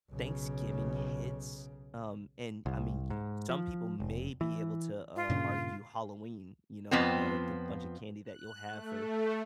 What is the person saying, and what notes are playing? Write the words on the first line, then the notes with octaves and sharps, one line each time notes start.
Thanksgiving hits, um, and, I mean, y some people may be able to, uh, argue Halloween, you know, the the bunch of candy that you'll have for
B1 C#3
C2
G#2
F3
F1
E3
F4
G2 A#2 C#3
F2 F3 B3 C4
F#6
A3